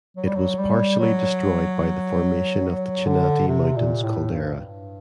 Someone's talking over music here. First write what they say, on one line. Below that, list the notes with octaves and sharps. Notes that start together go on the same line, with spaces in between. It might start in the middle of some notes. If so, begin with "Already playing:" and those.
It was partially destroyed by the formation of the Chinati Mountains Caldera.
F#3
G3
F#3
G3
F#3
F#3
D3
C3
A#2
A2
G2